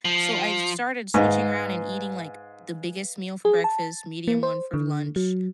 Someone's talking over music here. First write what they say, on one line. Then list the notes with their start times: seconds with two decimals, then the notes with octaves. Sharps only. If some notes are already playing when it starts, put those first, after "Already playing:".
so I started switching around and eating, like, the biggest meal for breakfast, medium one for lunch,
0.05 F3
1.14 G#2 B4 D#5 F5
3.45 G#4
3.64 A5
4.28 A#3
4.43 C5
4.74 D3
5.16 F#3